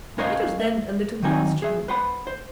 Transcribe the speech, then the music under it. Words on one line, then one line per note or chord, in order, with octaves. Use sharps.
It was then a little past noon.
C#4 A#4 C5 C#5 D#5 F5
E5
D#3 F#3 C4 D#4 G#5
G#4 E5
B4 C5 F#5 B5
C5